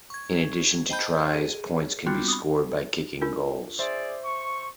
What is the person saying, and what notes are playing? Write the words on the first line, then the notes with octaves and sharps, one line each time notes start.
In addition to tries, points can be scored by kicking goals.
C#6 G#6
C5 D#5 G5 A5 B5 G6
G#4
G3 B3 C4 D4 F4 F#4
B5 D#6
D4 F4 A#4
G#4 C5 D5 E5 C6
C#6